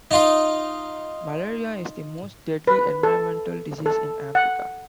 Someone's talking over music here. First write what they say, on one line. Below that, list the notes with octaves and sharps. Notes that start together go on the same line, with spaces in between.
Malaria is the most deadly environmental disease in Africa.
D#4 F4 F5
B4
A4
A4
F#5